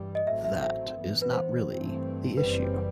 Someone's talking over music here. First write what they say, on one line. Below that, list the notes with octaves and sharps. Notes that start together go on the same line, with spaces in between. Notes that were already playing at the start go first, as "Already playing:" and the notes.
That is not really the issue.
Already playing: G2 E3 G3
D#5
A1 A2 F#3 A3 C4 E5
E5
E5
G2 E3 B3
B4
C5
G2 E3 A3 C4
F#1 F#2 E3 G3 C4 B4